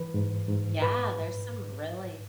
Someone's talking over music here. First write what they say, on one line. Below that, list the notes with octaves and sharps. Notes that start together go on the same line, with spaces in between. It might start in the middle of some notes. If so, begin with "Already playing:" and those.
Yeah, there's some really
Already playing: E3 B4
G#2
G#2
A2 B4